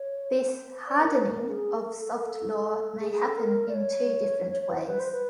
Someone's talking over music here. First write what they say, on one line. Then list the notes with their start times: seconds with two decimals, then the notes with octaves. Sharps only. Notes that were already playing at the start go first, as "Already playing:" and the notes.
This "hardening" of soft law may happen in two different ways.
Already playing: C#5
0.38 C5
0.87 D5
1.00 A#4
1.12 B4
1.31 A#4
1.49 G#4
1.76 A#4
1.87 A4
2.00 A4
2.13 A#4
2.25 A4
3.00 G#4
3.12 G#4
3.25 A4
3.38 A#4
3.68 D5
3.74 C#5
4.50 C#5
4.62 C#5
4.70 B4
4.74 C5
4.87 B4
4.99 C5
5.12 B4